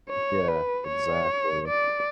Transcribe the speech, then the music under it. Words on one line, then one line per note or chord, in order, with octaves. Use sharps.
Yeah, exactly.
C#5
B4
C#5
D5